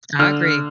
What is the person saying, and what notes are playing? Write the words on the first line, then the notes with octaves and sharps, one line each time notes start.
I agree.
D3 F6